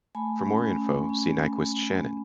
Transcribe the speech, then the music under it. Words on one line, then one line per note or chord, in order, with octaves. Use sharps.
For more info see Nyquist - Shannon.
A3 G#5 B5
C#4
C#4
C#4